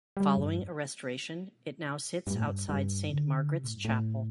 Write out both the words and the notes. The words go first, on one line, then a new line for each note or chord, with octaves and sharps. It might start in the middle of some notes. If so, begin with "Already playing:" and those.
Following a restoration, it now sits outside Saint Margaret's Chapel.
G3
G2
G2
A2
G2
G2
D3
C3
A2
G2
A2